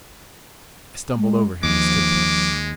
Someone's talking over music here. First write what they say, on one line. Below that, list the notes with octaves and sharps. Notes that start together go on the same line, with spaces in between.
I stumbled over him and stood panting.
G#3
D#2 F3 G#3 D6